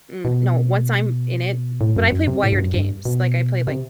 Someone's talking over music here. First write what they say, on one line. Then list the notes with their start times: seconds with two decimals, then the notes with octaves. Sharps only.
mm, no, once I'm in it but I play wired games, like I play like,
0.25 B2
1.81 A2
1.96 F#2
2.12 F#2
2.27 C3
2.43 A2
2.53 G2
2.59 F#2
2.74 G2
3.05 B2
3.68 C3